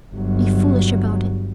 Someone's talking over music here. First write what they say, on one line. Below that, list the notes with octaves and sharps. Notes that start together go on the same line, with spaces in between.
Be foolish about it.
G1 F#3